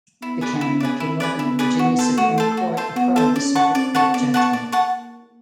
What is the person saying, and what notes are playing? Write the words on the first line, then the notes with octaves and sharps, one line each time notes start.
The County appealed, and the Virginia Supreme Court affirmed the Circuit Court judgment.
B3 E4
G#4 B4 D5
B3 E4
G#4 B4 D5
C4 E4
G#4 B4 D5
B3 E4
G#4 B4 D5
F#4
A4 C5
A3 F#4
A4 C5
F#4
A4 C5
B3 F#4
A4 C5
C#4 D5
F#5 A5 C#6
C4 D5
F#5 A5 C#6
B3 D5
F#5 A5 C#6
A#3 D5
F#5 A5 C#6